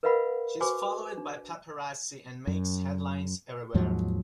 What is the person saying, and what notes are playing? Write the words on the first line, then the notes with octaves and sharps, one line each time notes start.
She is followed by paparazzi and makes headlines everywhere.
A#4 B4 D#5 F5 F#5 B5
F#4 B4 C5 G#5 C#6 D6
D4
F#2
D#2 G#2 F3 F#3